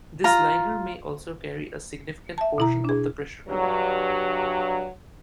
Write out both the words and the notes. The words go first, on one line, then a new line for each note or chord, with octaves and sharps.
This liner may also carry a significant portion of the pressure load.
F4 A#5
E5 A5
B2 E4 A#5
D4 G#4
G2 F#3